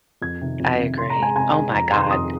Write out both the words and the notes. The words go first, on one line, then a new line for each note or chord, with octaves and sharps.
I agree. Oh my god.
F2 G#6
C3 D#3
F2
C3 D#3
C3 C6
A#5
G#3
G#5
C3 G#5
G#3
F2 A#5
C3 D#3 C6
C6
F2 D#6